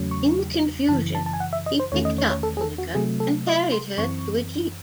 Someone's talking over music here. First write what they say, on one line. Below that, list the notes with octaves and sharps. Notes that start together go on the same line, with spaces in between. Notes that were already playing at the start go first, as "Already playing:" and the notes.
In the confusion, he picked up Tunika and carried her to a jeep.
Already playing: E2 C#3 F#3 A3 C#4
C#6
F#2 C#3 E3 A5
A5
A5
G#5
F#5
E5
D#5
C5
E2 D#3 A3 C#4 C#5
D#5
C#5
C#5
A4
G#4
A4
F#4
C3 F#3 A3 G#4
A4
D#5
C6
F#2 E3 C4 C#6